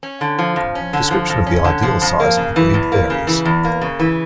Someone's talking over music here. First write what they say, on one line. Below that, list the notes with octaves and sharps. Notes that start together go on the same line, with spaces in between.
Description of the ideal size of the breed varies.
C#4
D3
F3
F2
C#4
D3
F3
F2
C#4
D3
F3
F2
A#3
C#3
E3
E2
A#3
C#3
E3
E2
A#3
C#3
E3